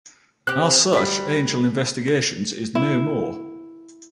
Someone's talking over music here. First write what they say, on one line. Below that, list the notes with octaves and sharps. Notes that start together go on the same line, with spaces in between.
As such, Angel Investigations is no more.
C4 G4 F#6
D2 G3 B6
E4